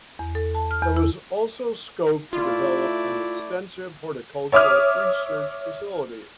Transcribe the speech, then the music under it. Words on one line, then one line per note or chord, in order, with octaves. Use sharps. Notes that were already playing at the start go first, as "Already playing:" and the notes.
There was also scope to develop an extensive horticultural research facility.
E2
A4
A5
F6
E2
E4
A3 E4 F4 D5
C#5 E5 D6 D#6 F6